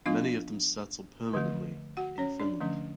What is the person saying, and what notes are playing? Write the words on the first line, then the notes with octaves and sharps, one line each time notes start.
Many of them settled permanently in Finland.
F3 B3 D4 F4 F5
D3 F3 A3
F#4 F#5
C#4 C#5
D4 D5
D3 F3 A3 C#4